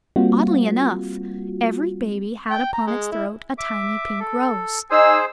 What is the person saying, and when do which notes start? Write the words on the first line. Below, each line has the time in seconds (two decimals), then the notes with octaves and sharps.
Oddly enough, every baby had upon its throat a tiny pink rose.
0.16 G3 A#3 C4 F4 F#4
2.51 G5
2.73 A#5
2.87 G#3
3.12 E4
3.58 E5 D6
4.20 A4
4.90 D#4 G#4 C5 G#5 E6